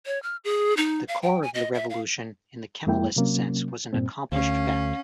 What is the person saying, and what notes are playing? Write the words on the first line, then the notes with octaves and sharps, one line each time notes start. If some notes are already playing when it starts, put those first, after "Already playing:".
The core of the revolution, in the Kemalist sense, was an accomplished fact.
C#5
F6
G#4
D#4
F5
G5
G#5
D#5
E5
F5
F2 G#3 A#3 E4 G5
C3 F#3 A#3 C#4
G2 A#2 C4
D2 C#4 F5